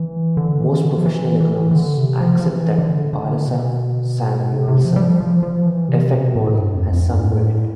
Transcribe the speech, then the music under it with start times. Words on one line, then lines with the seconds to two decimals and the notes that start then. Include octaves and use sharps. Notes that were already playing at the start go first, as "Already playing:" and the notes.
Most professional economists accept that the Balassa-Samuelson effect model has some merit.
Already playing: E3
0.37 D3
0.60 E3
0.72 D3
0.97 F3
1.06 E3
1.40 E3
1.71 E3
1.75 D3
1.97 C3
2.20 F3
2.39 F3
2.44 E3
2.78 D3
3.13 D3
3.48 B2
4.52 C3
4.68 C3
4.85 F3
4.96 G3
5.02 F3
5.20 F3
5.43 F3
5.66 E3
5.89 C3
6.13 B2
6.36 A2
6.59 G2
6.75 F2
6.92 F2
7.09 G2
7.28 A2